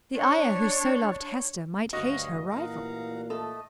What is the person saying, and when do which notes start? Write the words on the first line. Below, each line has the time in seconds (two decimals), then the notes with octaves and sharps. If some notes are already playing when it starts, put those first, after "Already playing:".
The Ayah who so loved Hester might hate her rival.
0.15 D4 C#5
1.93 D2 G2 F#4 C#5 D#5 F5 F#5
2.51 A1 A#2 F5 F#5 A#5
3.30 A3 A4 D#5